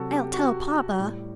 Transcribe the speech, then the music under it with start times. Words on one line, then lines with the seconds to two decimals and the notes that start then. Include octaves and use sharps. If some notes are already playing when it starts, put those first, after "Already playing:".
"I'll tell papa."
Already playing: C3 F#3 F#4 A4
0.10 G4
0.33 F#4
0.99 A2 G3